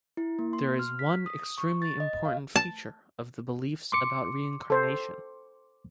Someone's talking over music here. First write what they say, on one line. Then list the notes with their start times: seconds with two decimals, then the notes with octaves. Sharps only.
There is one extremely important feature of the beliefs about reincarnation.
0.17 E4
0.39 A#3
0.53 C6
0.79 F6
0.99 B6
1.26 D#6
1.58 C#6
1.82 A6
2.00 D#5
2.25 F5
2.56 A5
3.92 C6 D6 C#7
4.70 A4 C5